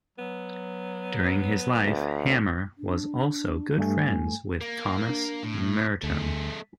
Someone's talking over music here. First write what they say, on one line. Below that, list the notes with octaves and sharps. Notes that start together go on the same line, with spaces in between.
During his life, Hammer was also good friends with Thomas Merton.
F#3 B3
D2
D4
G2 A3 G#5
A#3
D4
A2
D2 A3 G#4